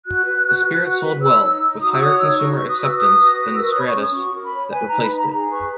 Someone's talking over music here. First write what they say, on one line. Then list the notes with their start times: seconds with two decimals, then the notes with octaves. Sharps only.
The Spirit sold well; with higher consumer acceptance than the Stratus that replaced it.
0.05 F#4 F#6
0.24 B4
0.44 F#4
0.64 B4
0.83 F#4
1.03 B4
1.22 C#5 E6
1.41 D#4
1.62 D#4
1.81 F#4 D#6
1.92 E6
2.00 C#5 D#6
2.20 D#4 E6
2.39 F#4 C#6
2.54 B4 C#6
2.68 D#6
2.78 F#4 E6
2.97 B4 D#6
3.17 F#4
3.36 B4
3.55 A#4 E6
3.66 C#6
3.70 D#6
3.75 C#5
3.80 B5
3.85 C#6
3.94 C#4
4.00 D#6
4.13 F#4 C#6
4.34 A#4
4.43 B5
4.53 C#5
4.72 B4 G#5
4.88 D#4 A#5
5.02 B5
5.11 D#4
5.17 A#5
5.31 G#4 A#5
5.50 B4 C#6